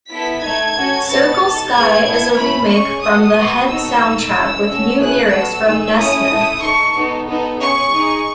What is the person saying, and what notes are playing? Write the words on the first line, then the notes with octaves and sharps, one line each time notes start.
"Circle Sky" is a remake from the "Head" soundtrack, with new lyrics from Nesmith.
B3 E4 A4 B6
A3 D#4 A4 G#6
C#4 F#4 A4
B3 F#4 A4 A6
D#4 A4
B3 E4 G#4 G#6
B3 E4 A4
A3 C#4 E4 B5
C#4 G#4 C#6
B3 F#4 A4 D#6
B3 F#4 A4
B3 D#4 F#4 A4 E6
D#4 A4
C#4 E4 A4
C#4 F#4 A4
A3 C#4 E4 G#4 F#6
B3 F#4 A4 E6
D#4 G#4
A3 C#4 E4 A4 D#6
A3 E4 A4
D#4 A4 C#6
B3 D#4 A4
B3 D#4 A4
C#4 G#4 C#6
D#4 G#4